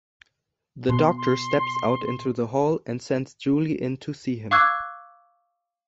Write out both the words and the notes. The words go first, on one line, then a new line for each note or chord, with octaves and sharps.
The doctor steps out into the hall and sends Julie in to see him.
B2 C6
C6
F5 C#6 D6 E6 F#6 G#6